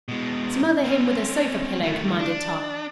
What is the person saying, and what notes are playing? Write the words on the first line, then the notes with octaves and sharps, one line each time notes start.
"Smother him with a sofa pillow!" commanded Tom.
B2 G#3
C4 C#4
D#3 A3
D4